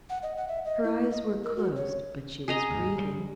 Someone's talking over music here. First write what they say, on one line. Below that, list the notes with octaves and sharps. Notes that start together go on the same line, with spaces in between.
Her eyes were closed, but she was breathing.
F#5
D#5
F#5
E5
D#5
E4
D#5
A#4
F#4
C#5
G#4 D#5 A#5
D#2 G#2
G1 B2 G3